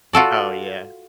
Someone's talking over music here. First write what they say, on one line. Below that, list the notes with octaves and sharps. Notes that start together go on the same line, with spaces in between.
Oh, yeah.
F4 F#4 A4 D5